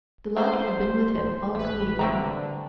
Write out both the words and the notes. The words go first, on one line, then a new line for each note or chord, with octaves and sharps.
The luck had been with him all the evening.
E3 G#3 B3 C5
A1 A3 B4
D3 A3 C4 A#5